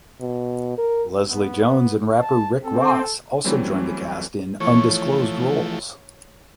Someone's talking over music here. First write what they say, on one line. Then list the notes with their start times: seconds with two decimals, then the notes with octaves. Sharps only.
Leslie Jones and rapper Rick Ross also joined the cast in undisclosed roles.
0.21 B2
0.78 A#4
1.29 B3
2.21 A5
2.65 C4 A4
3.44 E3 F#3 G3 A3 C4 C#4
4.60 E3 F3 A3 C#5